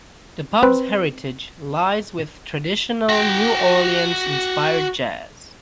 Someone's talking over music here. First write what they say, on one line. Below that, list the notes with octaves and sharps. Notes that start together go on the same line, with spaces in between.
The pub's heritage lies with traditional, New Orleans inspired jazz.
C4 B4
F#4 G5